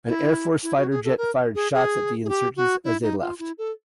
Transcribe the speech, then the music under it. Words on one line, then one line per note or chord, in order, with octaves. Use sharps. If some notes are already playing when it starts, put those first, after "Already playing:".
An Air Force fighter jet fired shots at the insurgents as they left.
E4
E4
F#4
G#4
A4
A#4
G#4
G#4
G#4
G4
F#4
E4
D#4
F4
E4
A4